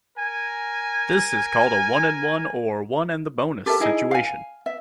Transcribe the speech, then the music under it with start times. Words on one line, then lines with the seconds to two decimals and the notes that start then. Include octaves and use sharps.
This is called a "one-and-one" or "one and the bonus" situation.
0.17 A#4 G#5
3.66 G4 A4 A#4 E5
3.80 D#4 E4 G#4 D#5
4.11 F5 G#5
4.66 E5